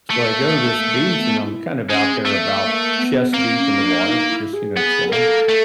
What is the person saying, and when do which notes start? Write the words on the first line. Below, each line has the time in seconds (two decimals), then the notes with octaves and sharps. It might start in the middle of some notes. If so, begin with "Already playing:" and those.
so, I go to this beach, and I'm kind of out there about chest deep in the water just, you know, chilling
0.10 A3 A#3
1.07 A#3
1.18 B3
1.42 E4
1.90 G#3 C#4
2.13 C4
2.25 A3
2.37 A#3
2.62 A#3
2.98 B3
3.34 A#3 C4
3.50 C4
3.58 C#4
3.82 D4
4.06 D#4
4.29 E4
4.53 G#4
4.77 B3 G#4
5.09 A#4
5.13 A#3 A4
5.49 A3